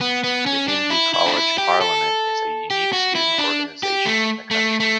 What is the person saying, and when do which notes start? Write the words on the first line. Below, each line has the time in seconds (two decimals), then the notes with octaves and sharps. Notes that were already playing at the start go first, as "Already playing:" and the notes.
The Hindu College Parliament is a unique student organisation in the country.
0.01 B3
0.24 B3
0.46 C#4
0.68 D4
0.90 E4
1.14 E4
1.26 D4
1.36 E4
1.58 G4
1.81 A4
2.70 G4
2.93 F#4
3.15 E4
3.38 D4
3.83 G4
4.06 A3
4.51 A3
4.80 A3